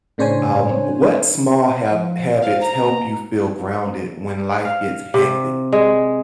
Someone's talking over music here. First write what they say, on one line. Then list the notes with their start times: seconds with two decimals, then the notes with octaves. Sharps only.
Um, what small hab habits help you feel grounded when life gets hectic?
0.18 A2 C#3 D4 C5 C#5 G#5
1.87 F3
2.42 C5 F5
2.61 A#5
2.82 A#3
4.65 F5
5.14 C3
5.72 G#3